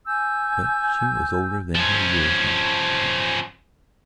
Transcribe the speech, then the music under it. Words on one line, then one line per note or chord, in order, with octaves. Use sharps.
But she was older than her years and quieter.
G#5 E6 G6
F3 C#4